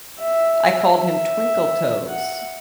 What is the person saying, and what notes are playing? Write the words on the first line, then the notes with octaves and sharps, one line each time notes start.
I called him Twinkle Toes,
E5
E5
F#5